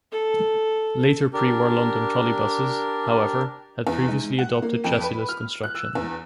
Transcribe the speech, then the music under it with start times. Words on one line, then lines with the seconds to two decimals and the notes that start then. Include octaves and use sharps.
Later pre-war London trolleybuses, however, had previously adopted chassisless construction.
0.12 A4
1.33 D4 G4 A#4
3.87 E2
4.08 G#2
4.38 F#5
4.62 A#3
4.84 F2
5.01 B4
5.29 F6
5.63 F#6
5.75 E6
5.95 E2